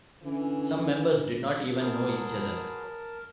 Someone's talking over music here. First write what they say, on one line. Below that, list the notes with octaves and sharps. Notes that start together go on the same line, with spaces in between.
Some members did not even know each other.
D3 E3 C#4
F#3 G#4 A#4 B4 A5